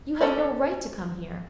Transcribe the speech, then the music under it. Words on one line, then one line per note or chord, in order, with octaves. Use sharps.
You have no right to come here.
C#4 F4 A4 C5 D5